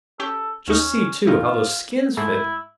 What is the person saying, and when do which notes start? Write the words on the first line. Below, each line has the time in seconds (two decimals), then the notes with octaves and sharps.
Just see, too, how those skins fit!
0.20 C#4 G4 A4 G5
0.68 D#2 C#4 D#4 F6
1.27 D#3 E3 D#4 F4
2.17 G#2 G#3 A3 E4